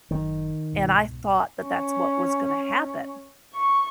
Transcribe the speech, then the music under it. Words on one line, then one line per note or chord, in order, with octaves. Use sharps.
And I thought that that's what was gonna happen,
F#1 D#3 F#3
C2 G#2 B2
C#4
C#6